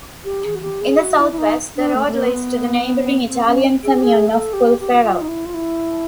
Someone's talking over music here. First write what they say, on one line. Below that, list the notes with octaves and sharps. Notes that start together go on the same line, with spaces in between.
In the southwest, the road leads to the neighbouring Italian "comune" of Pulfero.
G4
G#4
F#4
G4
G#4
F#4
E4
E4
D#4
D4
A3
A3
A#3
C4
B3
C4
C#4
G#4
G4
G#4
A4
G4
G4
F#4
F4
D#4
E4
F4
E4